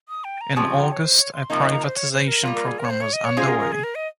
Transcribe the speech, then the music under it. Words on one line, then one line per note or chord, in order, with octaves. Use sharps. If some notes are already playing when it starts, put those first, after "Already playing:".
In August, a privatization program was underway.
D#6
G5
A#5
C#3 F3 C4 G4 C#6
C#6
A#5
C#5
C5
C#5
C6
C3 F3 A#3 D#4 C#6
C#6
A#5
C5
C#5
C5
A#4
G3 A#3 F4
A#4
G#4
A#4
C#5
C5
C#5
D#5
C#5
G#3 C#4 F4 G#4 C5
A#4
A#4
G#4
A#4
D#5